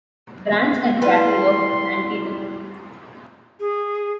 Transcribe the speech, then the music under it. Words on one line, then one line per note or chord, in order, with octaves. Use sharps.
Branch at the Battle of Antietam.
G3 E4 B4 D5 G5 C6
G#4